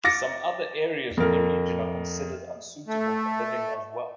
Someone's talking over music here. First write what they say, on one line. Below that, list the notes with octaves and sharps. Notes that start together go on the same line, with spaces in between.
Some other areas in the region are considered unsuitable for living as well.
D6 A6 A#6 C#7
F2 A#4
A3